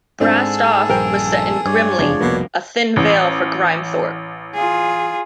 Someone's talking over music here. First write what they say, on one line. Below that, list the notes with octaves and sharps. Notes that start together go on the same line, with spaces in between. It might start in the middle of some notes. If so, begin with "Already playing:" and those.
"Brassed Off" was set in "Grimley", a thin veil for Grimethorpe.
G#2 C4 D4 G#4 A4 A5
A#1 G2 A#4 C5 G5
G2 C#5 D5
F1 E2 F3 G#3 D4
F1 C2 F2 B2 A#3 B3
A1
F4 G#4